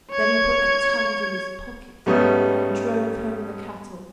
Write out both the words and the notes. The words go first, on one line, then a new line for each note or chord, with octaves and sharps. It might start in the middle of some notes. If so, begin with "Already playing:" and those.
Then he put the tongues in his pocket and drove home the cattle.
C#5 G#6
G#2 G3 A3 B3 C#4